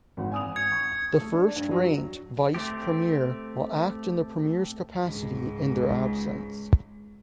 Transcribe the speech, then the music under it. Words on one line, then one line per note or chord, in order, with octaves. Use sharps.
The First-ranked Vice Premier will act in the premier's capacity in their absence.
G#1 C4 F#5
G#5 D#6 F7
G#6 C#7
C#6
A3
D4
G2
F#3
A3 C4 G4
C#2 G#2